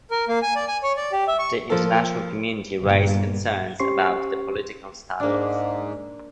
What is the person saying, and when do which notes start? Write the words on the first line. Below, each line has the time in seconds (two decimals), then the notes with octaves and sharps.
The international community raised concerns about the political standoff.
0.11 A#4
0.28 A#3
0.42 G#5
0.56 D5
0.68 G#5
0.83 C#5
0.97 D5
1.12 G4
1.28 E5
1.39 C#6
1.70 F3 A#3 A4
2.79 G1 G2 A#2 A#3
3.80 C#4 G4 C5 C6 C#6 C7
5.20 G#2 A#3 D4